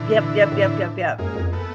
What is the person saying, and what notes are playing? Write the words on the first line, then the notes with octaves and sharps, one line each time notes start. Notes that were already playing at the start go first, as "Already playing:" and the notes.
Yep, yep, yep, yep, yep.
Already playing: A#2 D3 E3
A2
F#2 G#3 A#3
F2
A3 B3